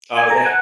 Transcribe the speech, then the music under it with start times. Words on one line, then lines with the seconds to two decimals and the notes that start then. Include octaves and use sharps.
Oh, yeah.
0.17 G#5
0.31 A#5
0.38 G#5
0.46 F#5